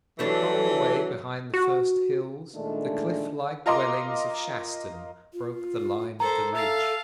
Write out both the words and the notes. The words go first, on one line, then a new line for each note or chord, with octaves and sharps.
Far away behind the first hills the cliff-like dwellings of Shaston broke the line of the ridge.
A1 E3 F#3 G3 D4 A4 C#5
F#4
A#2 D#3 G#3 A3 D4
F4 A#4 D#5 C6 D6
F4
A4 A#4 C5 A#5
A4 E5 F5 A5